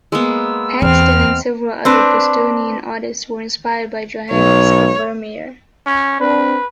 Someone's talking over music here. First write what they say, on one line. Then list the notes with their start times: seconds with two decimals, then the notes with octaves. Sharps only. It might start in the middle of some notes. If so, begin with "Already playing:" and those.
Paxton and several other Bostonian artists were inspired by Johannes Vermeer.
0.12 G#3 A#3 B3 E6
0.82 E2 C4 F6
1.85 C4 D4 B4
4.31 B1 C#5
5.86 C#4
6.20 C4 D4 B4